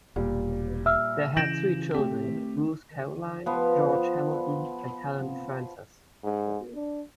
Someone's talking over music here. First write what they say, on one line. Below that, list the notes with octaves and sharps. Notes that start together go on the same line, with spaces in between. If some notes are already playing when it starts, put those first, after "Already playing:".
They had three children: Ruth Caroline, George Hamilton, and Helen Frances.
E1 A#2 G3
E5 E6 F6
C#3 E3 G6 A#6 D7 E7 F#7
A3 C4 G4
F3 B3
G#2
D4